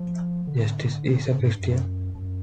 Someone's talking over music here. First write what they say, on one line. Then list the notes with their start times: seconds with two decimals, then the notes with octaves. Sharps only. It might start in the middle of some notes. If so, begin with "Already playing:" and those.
Justice is a Christian.
Already playing: F3
0.47 D3
1.31 C#3
1.40 G#2
1.50 G2
1.59 F#2
2.15 F#2